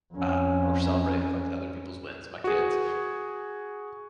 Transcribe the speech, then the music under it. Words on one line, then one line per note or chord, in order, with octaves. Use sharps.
uh, or celebrate, like, other people's wins, my kids,
F2 C#4
F#4 G#4